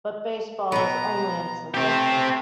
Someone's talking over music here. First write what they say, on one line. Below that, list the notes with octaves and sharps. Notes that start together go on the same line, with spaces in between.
But baseball is only incidental.
B2 B3 A#5
A3 C4 G4